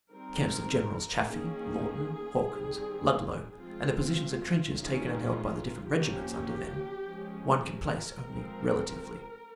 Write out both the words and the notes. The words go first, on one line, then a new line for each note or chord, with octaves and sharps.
The camps of Generals Chaffee, Lawton, Hawkins, Ludlow, and the positions and trenches taken and held by the different regiments under them one can place only relatively.
D#3 G3 C4 A#4
D#3 A#3 C#4 G#4
D#3 G3 C4
F3 G#3 C4 F4
D#3 G#3 C#4 F4
F3 A#3 C#4 G4
F3 G#3 C#4
A#4
F3 G#3 C4